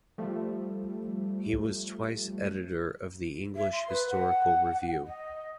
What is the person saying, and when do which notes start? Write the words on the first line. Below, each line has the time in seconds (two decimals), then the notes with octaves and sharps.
He was twice editor of the "English Historical Review".
0.18 F3 G3 A3
3.55 E5
3.72 C6
3.88 B4
4.09 F#5
5.06 D#5